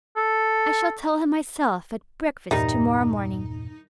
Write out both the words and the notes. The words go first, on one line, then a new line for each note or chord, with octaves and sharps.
I shall tell him myself at breakfast to-morrow morning.
A4
E2 G2 A#2 D#3 G3 D#4